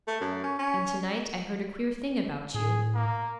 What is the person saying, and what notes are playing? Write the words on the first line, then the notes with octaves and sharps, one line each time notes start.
'And to-night I heard a queer thing about you.'
A3
F#2
C#4
C#4
A2 G#4
A#3